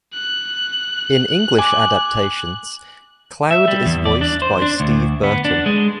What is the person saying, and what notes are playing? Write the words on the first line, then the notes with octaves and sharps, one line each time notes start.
In English adaptations, Cloud is voiced by Steve Burton.
F#6
G#5 D6
E5
G3
E2
D5
D4
C5
D4
D2
B3
D4
G#3